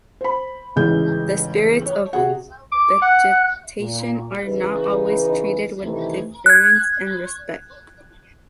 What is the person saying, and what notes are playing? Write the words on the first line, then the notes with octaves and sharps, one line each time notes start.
The spirits of vegetation are not always treated with deference and respect.
C5 B5
A1 G#2 C#3 E3 G6
C#5
C3 F#4 G#4 F#5
D6
F#5 F#6
A#2
C#3 E3 D#4 G#4 B4
C3 D#3 E3 A3
F#6 G#6